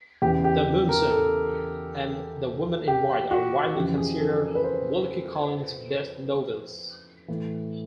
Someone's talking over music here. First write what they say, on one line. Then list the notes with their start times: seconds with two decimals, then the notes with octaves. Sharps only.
"The Moonstone" and "The Woman in White" are widely considered Wilkie Collins' best novels.
0.22 E2 C#3 E3 G4
0.44 G4
0.89 A#4
1.10 A4
2.88 G4
3.31 F#4
3.75 F2 C#3 E3 G4
3.98 G#4
4.19 A4
4.42 A#4
4.55 B4
4.64 C5
7.28 A2 E3